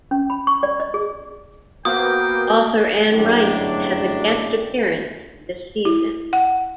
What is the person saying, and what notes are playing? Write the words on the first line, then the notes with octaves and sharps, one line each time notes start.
Author Anne Rice has a guest appearance this season.
C#4
B5
C#6
D5
D#5
G#4
A#3 B3 F#4 C5 G5 D#6
G1 F#2 A2 F#3 G#3 D4
E4
F#5